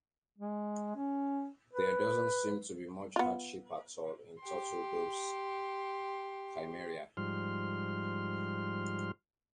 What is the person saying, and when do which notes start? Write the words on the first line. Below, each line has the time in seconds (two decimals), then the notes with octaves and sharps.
There doesn't seem to be much hardship at all in Turtledove's Cimmeria.
0.38 G#3
0.96 C#4
1.74 B4
3.16 B3 F4
4.40 G4 C6
7.17 G#2 F3 G3 C6 F6